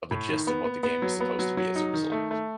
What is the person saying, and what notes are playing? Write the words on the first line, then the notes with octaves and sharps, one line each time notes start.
of a gist of what the game was supposed to be as a result.
A2
D#3
B3
B3
B3
F#3
B3
F#3
F#3
D#4
D#3
A3
A3